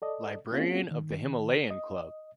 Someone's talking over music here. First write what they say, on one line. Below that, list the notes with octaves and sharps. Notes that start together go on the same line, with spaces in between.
Librarian of the Himalayan Club.
A4 D5 D#5
A#3 C4 C#4 F4 G#4
D#3
D#5